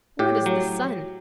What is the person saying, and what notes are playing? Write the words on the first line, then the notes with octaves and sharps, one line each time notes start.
What is the sun?
A2 G4
F#3